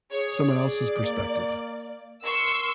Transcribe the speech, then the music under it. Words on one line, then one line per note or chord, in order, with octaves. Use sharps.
someone else's perspective.
G#4 C#5
D5
A#3
A#4 C6 C#6 E6